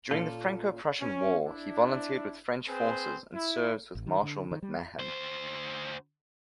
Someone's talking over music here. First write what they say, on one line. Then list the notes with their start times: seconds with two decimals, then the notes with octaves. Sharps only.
During the Franco-Prussian War he volunteered with French forces and served with Marshal MacMahon.
0.11 A#2 C#4 F4 A4
1.01 C#4
1.46 D4 E4
2.68 C4 G#4 B4 C5
3.34 E4
3.95 A1
4.07 D#3
4.22 D3
4.51 D#3
4.63 G3
4.99 D2 C5